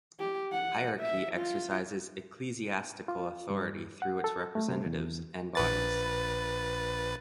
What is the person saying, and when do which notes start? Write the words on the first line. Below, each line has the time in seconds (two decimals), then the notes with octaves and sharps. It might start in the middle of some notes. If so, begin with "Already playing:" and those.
Hierarchy exercises ecclesiastical authority through its representatives and bodies.
0.19 G4
0.52 F#5
1.01 E5
1.35 F4
3.08 F4
3.50 G2
4.02 F#5
4.24 A4
4.55 A3
4.68 C3
4.86 E2
5.55 A#1 B4 A6